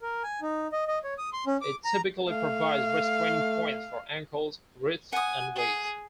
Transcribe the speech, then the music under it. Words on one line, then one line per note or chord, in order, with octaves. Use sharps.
It typically provides restraining points for ankles, wrists, and waist.
A#4
G#5
D#4
D#5
D#5
C#5
D#6
C6
C#4
D6
A#5
A3 F5
F#5 G#5 D#6
G#4